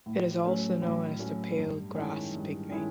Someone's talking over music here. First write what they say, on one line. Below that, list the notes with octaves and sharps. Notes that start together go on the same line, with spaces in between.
It is also known as the pale grass pygmy.
A2
F#3 A3 C#4
A2
F#3 A3 C#4
G2
D#3 G#3 C#4 E4
G2
D#3 G#3 C#4 E4